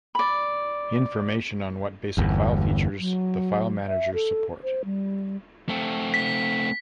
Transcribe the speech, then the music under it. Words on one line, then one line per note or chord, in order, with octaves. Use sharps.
Information on what basic file features the file managers support.
D5 B5
G1 E2
F#3
E5
A4
C5
G3
A3 C4
B6